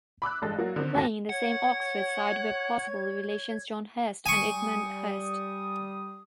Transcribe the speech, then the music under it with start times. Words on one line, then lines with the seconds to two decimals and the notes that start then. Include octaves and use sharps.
Playing in the same Oxford side were possible relations John Hurst and Edmund Hurst.
0.22 B5 D6 E6 F#6
0.42 A1 G2 G#3 A4 A6
0.59 F#3 A#3 F#4
0.76 D3 D#3 C4
0.94 D#2 G#2 F#4 A4 A5 A#6
1.29 C#5 F#5 G#6
4.26 G3 G#5 C#6 D#6